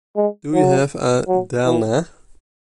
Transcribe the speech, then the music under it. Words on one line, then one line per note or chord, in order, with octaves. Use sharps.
Do you have a Delna?
G#3
F#3
F#3
E3